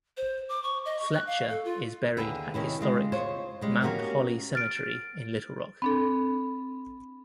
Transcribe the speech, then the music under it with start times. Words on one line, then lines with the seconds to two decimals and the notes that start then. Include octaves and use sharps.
Fletcher is buried at historic Mount Holly Cemetery in Little Rock.
0.17 C5
0.49 D6
0.63 C#6
0.85 D#5
1.00 C#6
1.13 F#6
1.27 F5
1.50 A4
1.65 F4
2.17 D#2 D3 G#4 B4 E5
2.54 C3 D#3 C#4 E4
2.80 C#3 G#3
3.12 F4 C5 C#5
3.61 G3 G#3 C#4
3.82 A#3 C#4 F#4 G4 A#4
4.55 F6 A6 D7
5.82 C4 D4 A4 B5